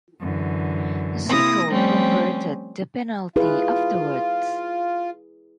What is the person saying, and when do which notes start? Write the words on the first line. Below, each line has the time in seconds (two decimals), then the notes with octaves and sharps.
Zico converted the penalty afterwards.
0.21 F#2 D3 E3
1.26 C3 A#3 E4 D#6 A#6
1.68 F3 G3 A3 C4 C#4
3.36 E4 F4 G#4 B4